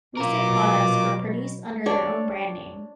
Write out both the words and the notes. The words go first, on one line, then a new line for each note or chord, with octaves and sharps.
Recent products were produced under their own brand name.
B2 F#3 F4 A#4 D6
D4 C#5 D5